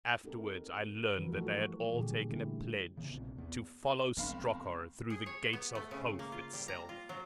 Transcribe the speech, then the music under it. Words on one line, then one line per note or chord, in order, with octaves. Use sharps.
Afterward I learned that they had all taken a pledge to "follow Strokor through the gates of Hofe itself!"
C4 D#4 G4 A4 A#4
E3 F3 G3 F#4 A#4 B4
A3 E4 F#4 G4 A4
A#2 D3 E3 G3 G4 G#4
D3 G3 A3 C#4 E4 G4
C#3 E3 B3
A#1 C3
E2 B3
F1 G#3 B3 F5 B5
G#4
C#5
B3
A3
C#3
A#3
F4
G3
A#5
F4
F#3